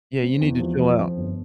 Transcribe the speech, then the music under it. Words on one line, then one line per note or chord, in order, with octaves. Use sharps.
Yeah, you need to chill out.
C4
E2
F3
F3
F2
G1